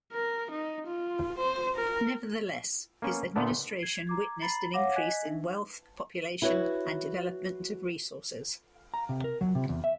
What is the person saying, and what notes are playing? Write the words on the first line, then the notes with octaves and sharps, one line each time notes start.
Nevertheless, his administration witnessed an increase in wealth, population, and development of resources.
A#4
D#4
F4
C5
A#4
A#3 B3 C#4
A#2 D3 A3 B3 A4
G#6 C7
A#5 D6 G#6
A#5 B5 A6 C7 F#7
C#5 F5 F#5 D6 D#6 A#6
D#5 G#5 F#6 G#6 B6
D4 D#4 E5
E4 F#4 B4 C#5
A#5
C3
A#4
F#3
C3
E2
E5